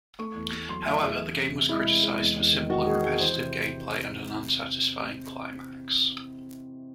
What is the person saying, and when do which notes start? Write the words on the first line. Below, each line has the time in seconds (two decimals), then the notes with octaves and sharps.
However, the game was criticized for simple and repetitive gameplay and an unsatisfying climax.
0.19 A3 C#6
0.35 E2
0.53 A3
0.68 F#3 C6
0.85 A3 E5
1.02 E2 G#4
1.19 E3
1.35 C3
1.53 C3
1.69 G#3 E4
1.86 C3
2.03 G#3
2.19 E2
2.36 E2
2.53 D#3
2.69 D#3 F#4
2.86 G#3 G#4
3.03 G#3 G#4
3.19 E3 C5
3.37 C3